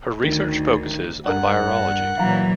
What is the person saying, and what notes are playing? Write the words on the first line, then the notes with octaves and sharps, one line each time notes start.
Her research focuses on virology.
D2 D#3
G2 D4 A#4 F#5
A#2 E3 F#3 F5 A#5